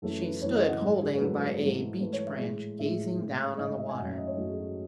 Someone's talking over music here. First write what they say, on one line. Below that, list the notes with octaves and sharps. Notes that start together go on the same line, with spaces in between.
She stood holding by a beech-branch, gazing down on the water.
F#2 E3 A3 A4
B4
F#2 E3 A3 C#5
D#5
F#5
G#2 D#3 F#3 G#4
G#4
B4
G#2 D#3 F#3 A4
G#2 E3 A3
G#2 E3 A3 B4
C#5
E5
A2 G#3
A2 G#3 E5
G#2 D#3 A3
G#2 D#3 A3 D#5
E5
G#5
F#2 D#3 A3 F#5
E5
D#5
C#5
F#2 D#3 A3 F#4
G#4
F#4